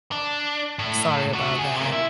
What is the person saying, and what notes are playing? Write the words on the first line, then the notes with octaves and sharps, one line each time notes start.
Sorry about that.
D4
A2
D4 F#4
C#3 G#4
C3 A#3
E4